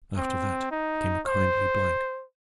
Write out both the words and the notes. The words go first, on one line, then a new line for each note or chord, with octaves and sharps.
After that came a kindly blank.
C4
D#4
C5